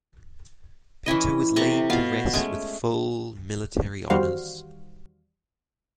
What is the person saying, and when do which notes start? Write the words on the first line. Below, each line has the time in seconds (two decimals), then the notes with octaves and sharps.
Pinto was laid to rest with full military honours.
1.06 E3 C#4 E4 D#5
1.56 C3 A4 A#5 C#6
1.90 B2 F4 F5
2.33 G#3 A3 C#4
4.10 E2 D#3 G3 F#4 C5 F5